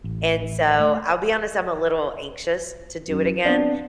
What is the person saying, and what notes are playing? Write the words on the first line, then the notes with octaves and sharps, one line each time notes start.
And so, I'll be honest, I'm a little anxious to do it again.
A1
A3
F#2
B3 C4 D4